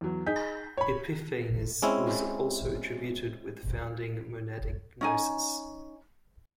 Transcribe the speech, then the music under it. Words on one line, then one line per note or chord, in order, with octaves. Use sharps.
Epiphanes was also attributed with founding Monadic Gnosis.
E2 F#3
D#4 G#4 G6 B6
C#5 B5
G#3 C4 C#4 E4
C#4 D#4 G#5